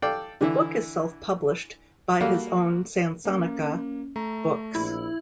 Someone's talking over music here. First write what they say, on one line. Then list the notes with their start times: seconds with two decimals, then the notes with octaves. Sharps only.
The book is self-published by his own Sansonica Books.
0.02 A4 D5 F5 G5
0.41 D3 E3 E4
2.21 G3 A#3 F#4 A4 F5
3.25 A#3 C#4
4.16 A3 A#5
4.75 A#1 E4